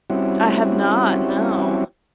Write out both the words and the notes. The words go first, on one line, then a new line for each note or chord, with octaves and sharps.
I have not, no.
G3 C4 C#4 E4 F#4